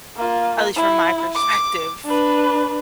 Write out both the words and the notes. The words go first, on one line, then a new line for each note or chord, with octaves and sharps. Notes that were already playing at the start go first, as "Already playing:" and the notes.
at least from my perspective.
A#3 F4
E4
D6
D4 B4